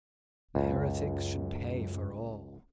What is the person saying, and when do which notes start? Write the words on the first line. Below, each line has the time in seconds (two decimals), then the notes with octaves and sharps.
The heretics should pay for all.
0.55 C#2 F#2